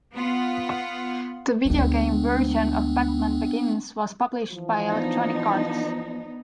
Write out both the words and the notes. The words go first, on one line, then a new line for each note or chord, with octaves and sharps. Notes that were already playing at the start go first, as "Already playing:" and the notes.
The video game version of "Batman Begins" was published by Electronic Arts.
B3 F4 F#5
D2 G#3 B3 C4 D4
E3 F3
B3 D4 D#4